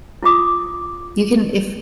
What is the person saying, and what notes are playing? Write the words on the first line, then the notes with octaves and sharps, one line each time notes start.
you can if
E4 F4 D6 D#6